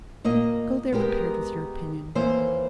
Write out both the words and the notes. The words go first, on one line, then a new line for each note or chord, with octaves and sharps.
Go there prepared with your opinion.
A#2 A#3 D#5
G#3 B3 G4 A#4
D#2 E3 A#3 C5